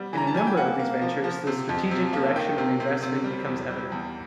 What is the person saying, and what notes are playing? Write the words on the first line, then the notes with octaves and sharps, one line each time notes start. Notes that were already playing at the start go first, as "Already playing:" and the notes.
In a number of these ventures the strategic direction of the investments becomes evident.
Already playing: G3 B3
E3 A#5
A5
G3 G#5
G5
A#3 F#5
A#3
F3
F3
C3
F2
C3
A#3
D#3 G5
C3
C3
C3
G3
E2
G3
E2